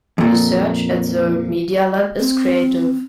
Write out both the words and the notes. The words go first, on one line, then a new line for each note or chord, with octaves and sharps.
Research at the Media Lab is creative.
F2 A#2
C4